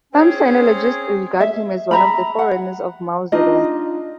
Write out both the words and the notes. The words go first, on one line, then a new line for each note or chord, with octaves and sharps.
Some sinologists regard him as one of the forerunners of Mao Zedong.
C4 C#4 G#4 C5 C#5
E5
E5 A#5 B5
F#5
D4 D#4 F4 D#5